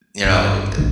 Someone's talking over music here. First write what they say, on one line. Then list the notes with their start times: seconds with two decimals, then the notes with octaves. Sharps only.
you know,
0.25 G#1 G2
0.78 A1 D2 D#3